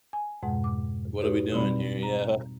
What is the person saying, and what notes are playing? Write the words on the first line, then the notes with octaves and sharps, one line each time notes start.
"What are we doing here?" Yeah.
G#5
F2 G#2 B2 G#3 F#5
D6
D#4 F#4 G4 B4 C#5
B2 G3 C4 D5 B5
A#5